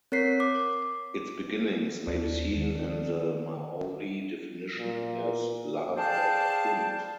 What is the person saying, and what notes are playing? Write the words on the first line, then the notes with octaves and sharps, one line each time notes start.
It's beginnings may be seen in the Maori definition as "love of kin".
C4 A#4 C#5 B6 C7
D6
D#2 D4
D#3
A#2
G#4 C5 D5 F5 G5 A5